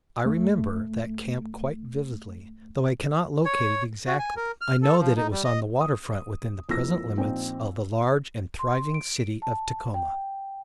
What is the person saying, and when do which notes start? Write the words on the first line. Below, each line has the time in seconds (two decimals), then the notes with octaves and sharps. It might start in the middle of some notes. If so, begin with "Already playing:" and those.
I remember that camp quite vividly; though I cannot locate it exactly, I know that it was on the water front within the present limits of the large and thriving city of Tacoma.
0.25 F2 A3
3.45 C#5
4.07 F#4
4.19 G#5
4.37 A#4
4.61 F6
4.82 A4
5.00 F3
5.17 D#4
5.32 G3
5.45 D#5
5.81 D#6
6.69 F2 A#3 E4 E6 A#6
7.17 A#1 C4 D#4
8.59 C6
8.94 D7
9.42 A5
9.94 G5